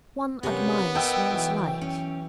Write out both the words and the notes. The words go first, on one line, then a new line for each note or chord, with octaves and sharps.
One admires one's like.
C3 G3 A#3 B3 C#4 A#5
A#3 D#4 D#5 G5 E6
B1 E3
C#4